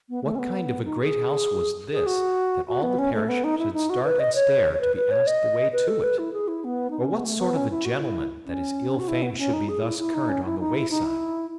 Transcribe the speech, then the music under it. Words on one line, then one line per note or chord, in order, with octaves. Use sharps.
What kind of a great house was this, that all the parish should start and stare to be asked the way to it? or what sort of a gentleman, that his ill-fame should be thus current on the wayside?
B3
A3
C#4
B3
D#4
G#4
G#4
F#4
F#4
B3
C#4
A3
B3
D#4
E4
D#4
F#4
B4
D#5
C#5
C#5
B4
B4
C#5
D#5
B4
A4
B4
E4
G#4
E4
B3
D#4
C#4
B3
A3
B3
C#4
E4
F#4
E4
C#4
F#4
E4
B3
B3
C#4
D#4
G#4
E4
E4
D#4
C#4
E4
D#4
E4
D#4
E4